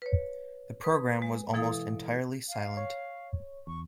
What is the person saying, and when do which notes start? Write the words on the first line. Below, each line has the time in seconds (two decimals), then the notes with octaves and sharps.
The programme was almost entirely silent.
0.02 B4 C#5
0.84 B4 D#6
1.22 G#3
1.53 B2 E3 E4 A4 F5 D#6
2.49 F5
2.77 C#5
3.67 E2 C#6